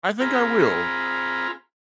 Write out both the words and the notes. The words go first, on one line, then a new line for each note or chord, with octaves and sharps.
I think I will.
C4 F4 G#4 A#5 B5 F6